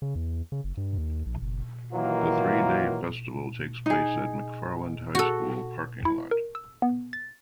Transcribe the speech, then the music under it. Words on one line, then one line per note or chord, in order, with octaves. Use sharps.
The three-day festival takes place at McFarland High School parking lot.
C#3
E2
C#3
F#1
G2
D#2
A#1
F#1
D#3 E3 F#3 A#3 F4
D#4 G#4
F#4 A4
E4
A#4
E6
B3
A6